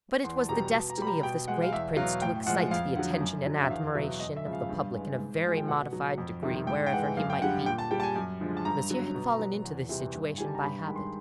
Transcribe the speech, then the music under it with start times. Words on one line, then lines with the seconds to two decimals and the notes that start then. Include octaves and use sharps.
But it was the destiny of this great prince to excite the attention and admiration of the public in a very modified degree wherever he might be. Monsieur had fallen into this situation by habit.
0.24 E2 C6
0.37 A5
0.49 B2 G3 A#5
0.73 B2 A5
0.90 A#5
0.98 G3 B5
1.07 A#5
1.23 B2 G5
1.48 G#3 F#5
1.62 F5
1.72 E2 E5
1.97 F#3 F5
2.02 B2
2.22 A2 G5
2.47 F3 G#3 F#5
2.71 F2 F5
2.96 D3 F#3 F#5
3.21 F#2
3.46 D3 F#3
3.62 E5
3.70 E2 F5
3.95 B2 F#3 E5
4.20 F#2 D#5
4.36 E5
4.44 C#3 F3 G#3
4.53 F5
4.69 G2
4.94 E3 G#3
5.18 G#2
5.44 F3 G#3
5.57 G5
5.68 B2 F#5
5.93 F#3
6.18 F2
6.43 C3 D#3 G3
6.67 G#2 G5
6.86 G5
6.92 E3 G#3 F#5
7.17 F#2 F5
7.30 G5
7.41 D3 G3 F#5
7.66 A#2 G5
7.78 A5
7.91 G3 G5
8.00 A5
8.03 G#5
8.16 F#2
8.41 D3 F3 G#3
8.57 A5
8.65 G2 A#5
8.90 D3 F#3
9.15 B2
9.39 F#3
9.64 E2
9.89 C3 E3 G3
10.14 G2
10.38 D#3 G3 G#5
10.46 A5
10.55 A#5
10.63 G2 B5
10.80 B5
10.88 D#3 G#3
10.96 C6